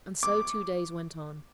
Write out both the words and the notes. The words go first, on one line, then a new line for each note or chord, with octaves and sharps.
And so two days went on.
D6